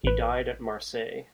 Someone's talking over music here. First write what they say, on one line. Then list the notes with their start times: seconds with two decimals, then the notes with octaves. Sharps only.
He died at Marseilles.
0.04 A1 B4